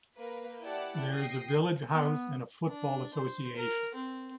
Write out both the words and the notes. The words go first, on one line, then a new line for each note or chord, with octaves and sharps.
There is a village house and a football association.
A#3 A#4 B4
E4 G4 D5 F#5 A5
G5 D#6 A#6 C7
B3
D4
C5
A#4
C4